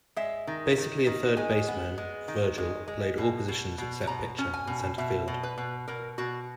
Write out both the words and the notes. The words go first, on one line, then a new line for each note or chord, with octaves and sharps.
Basically a third baseman, Virgil played all positions except pitcher and center field.
G#3 E5
D#3
D#3
D#3
G#3 G#5
B3
G#3
D#3
G#3
G#3
B2
B2
B2
B2 A#5
C#4
G#5
B2
B2 E5
B2
B4
B2
B2 A#4
B2 F#4